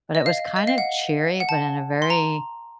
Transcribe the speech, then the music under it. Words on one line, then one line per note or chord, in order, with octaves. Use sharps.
but it was kind of cheery, but in a very,
D#5
F5
D#5
F5
F#5
F#5
A5
C6
A#5